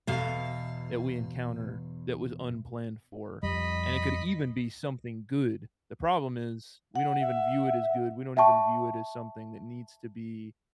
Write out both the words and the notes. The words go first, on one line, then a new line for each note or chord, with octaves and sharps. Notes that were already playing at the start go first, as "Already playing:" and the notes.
that we encounter that was unplanned for, and it could even be something good. The problem is we don't even view it as good; we don't even view it as something that needs to be
E2 B2 F5
F2 G3 D#5 B5
F#5
E5
E5 G5 A5 C#6